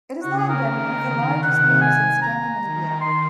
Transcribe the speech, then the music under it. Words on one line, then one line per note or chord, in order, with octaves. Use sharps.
It has long been one of the largest banks in Scandinavia.
C#3 F#4
G#4
A#4
D#3
C3 F#5
G#5
A#5
D#3
C6